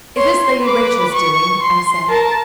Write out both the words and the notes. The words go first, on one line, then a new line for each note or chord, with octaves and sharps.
"Is this Lady Rachel's doing?" I said.
C#5 C6
B4 D6
C#6
C6
A#4 A5